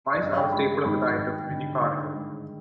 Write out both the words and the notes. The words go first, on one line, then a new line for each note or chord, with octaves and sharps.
Mice are a staple in the diet of many small carnivores.
D5
G2 D#5
G5
G#3 B5
G#1 B5
G#1
D3
D3
G#3